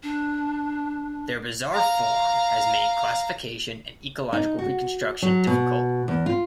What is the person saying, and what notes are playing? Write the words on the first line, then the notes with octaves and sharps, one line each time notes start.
Their bizarre form has made classification and ecological reconstruction difficult.
D4
F5 A#5
D#4
F#4
F#3
B2
E2
F4